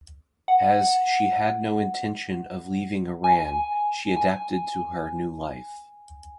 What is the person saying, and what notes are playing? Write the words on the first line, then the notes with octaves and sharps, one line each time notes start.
As she had no intention of leaving Iran, she adapted to her new life.
F#5
G#5
G#5